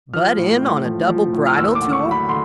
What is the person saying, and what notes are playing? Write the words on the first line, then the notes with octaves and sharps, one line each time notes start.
Butt in on a double bridal tour?
F3 F6
A2
A2
F3
F3
A2
F6
D#2 E6
D6
D3
C#6
F#3
B5
D3 C6